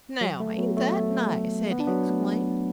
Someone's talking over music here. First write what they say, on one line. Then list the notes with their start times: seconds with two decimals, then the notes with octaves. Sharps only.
"Now ain't that nice," Hetty exclaimed.
0.21 F#3
0.40 A3
0.58 F#3 B3
0.77 A3
0.97 A3
1.71 B3
1.80 D4
1.87 F#3 B3
2.08 A3